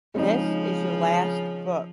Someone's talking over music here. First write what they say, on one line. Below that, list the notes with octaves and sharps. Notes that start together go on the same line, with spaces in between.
This is your last book!
C#3 F3 G#3 C4 D#4